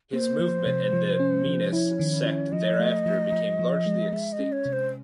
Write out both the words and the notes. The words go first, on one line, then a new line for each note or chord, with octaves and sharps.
His movement and the "Minas" sect thereafter became largely extinct.
A#3 C5
F3
C3
F3
C#4
F3
E4 C#5
D#3
E4
F3 D#5
A3
F3
F3
F3
G#3
G#3 E5
D#5
C#4
C#5
C3
C5